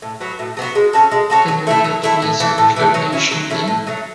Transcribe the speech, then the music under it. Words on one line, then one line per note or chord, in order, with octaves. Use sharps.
Can you get me the Club Nation game?
A2
F#3 B3 F#4
A2
F#3 B3 F#4
G#3
C#4 F#4 A4
G#3
C#4 F#4 A4
F#3
A3 E4 A4
F#3
A3 E4 A4
A2
E3 A3
A2
E3 A3
F#3
C#4 E4 A4
F#3
C#4 E4 A4
A2
F#3 A3